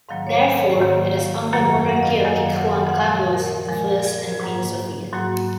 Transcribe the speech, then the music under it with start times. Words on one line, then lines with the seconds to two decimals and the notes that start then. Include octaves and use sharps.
Therefore, it is under monarchy of King Juan Carlos the First and Queen Sofia.
0.09 G#2 D#3 F#3 A#3 F5
0.27 C#5
0.33 C5
0.57 C#5
0.71 C5
0.81 G#2 D#3 F#3 A#3 C#5
1.17 F5
1.53 F#2 D#3 F#3 A#3 F#5
1.89 F#5
1.96 F5
2.03 D#5
2.10 F5
2.24 F#2 D#3 F#3 A#3 G#5
2.37 F5
2.49 F#5
2.65 G#5
2.73 F#5
2.89 F#5
2.97 A#2 F3 G#3 F5
3.33 A#4
3.68 A#2 F3 G#3 A#4
4.05 G#4
4.19 A#4
4.32 G#4
4.41 G#2 F#3 A#3
5.13 G#2 F#3 A#3 F#4